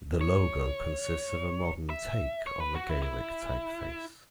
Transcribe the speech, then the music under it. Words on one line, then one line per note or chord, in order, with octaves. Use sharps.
The logo consists of a modern take on the Gaelic type face.
C#5
E5
C#5
B4
F#4
E4
E4